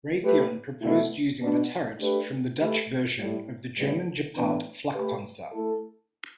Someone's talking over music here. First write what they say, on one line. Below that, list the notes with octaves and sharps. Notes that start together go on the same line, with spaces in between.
Raytheon proposed using the turret from the Dutch version of the German Gepard flakpanzer.
A3 G4 B4
B2 A3 E4
B2 B3 D4 B4
A3 D4 G4 B4
A3 G4 B4
A2 G3 E4 A4
A2 G3 B3
A2 E3 B3 D4 B4
A3 G4 B4
A3 E4 A4